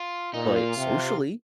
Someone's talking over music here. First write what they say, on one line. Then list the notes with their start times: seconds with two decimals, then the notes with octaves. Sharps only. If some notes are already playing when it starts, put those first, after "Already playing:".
but socially,
Already playing: F4
0.34 A#2 D#4
0.56 F4
0.77 C3